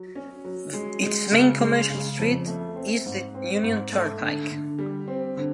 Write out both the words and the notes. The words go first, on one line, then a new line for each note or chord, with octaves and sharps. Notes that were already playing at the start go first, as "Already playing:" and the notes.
Its main commercial street is the Union Turnpike.
Already playing: F#3
C#4
F#3
G#3
G#3
C#3
G#3
C#3
F2
A3
C4
G#2
C4
G#2
A3
D3
D3
G3
C4
D3